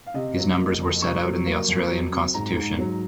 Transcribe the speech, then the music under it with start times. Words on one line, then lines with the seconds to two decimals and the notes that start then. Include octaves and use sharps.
These numbers were set out in the Australian Constitution.
0.07 F5
0.14 C3 D#5
0.36 F#3
0.58 A#3
0.80 F2
1.02 C3 C#6
1.24 F#3
1.46 A#3
1.68 F2
1.91 F#3
2.12 C4
2.34 G#2 A#5
2.57 G#2
2.78 F#3